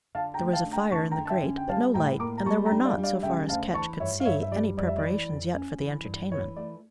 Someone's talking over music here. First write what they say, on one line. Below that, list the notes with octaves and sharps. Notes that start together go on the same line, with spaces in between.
There was a fire in the grate, but no light, and there were not, so far as Ketch could see, any preparations yet for the entertainment.
D3 F5 A5
G5 A#5
A3
G5
F5 A5
D4
G5 A#5
D3 A5 C#6
G5 A#5
D3
A5
E5 G5
C#4
G5
G3 F5 A5
A2 G5 A#5
A#3 A#5 D6
A#5
G3 A5 C#6
G5 A#5
D4
D5 F5
G3
D5 F5
C#3 E5 G5
D2 F5 A5
E3 A5 C#6
G2 C#5 E5
F5
G2 C#5 E5
E5
G3 D5
F2 D5
E5
E3 D5
F2
C#4
E3
G2
E3 C#5
A3 D5